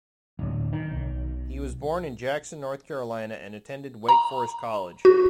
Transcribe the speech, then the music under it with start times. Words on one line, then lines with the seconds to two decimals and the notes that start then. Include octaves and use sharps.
He was born in Jackson, North Carolina and attended Wake Forest College.
0.39 D1
0.73 D#3
0.91 B1
4.09 A#5
5.05 F#4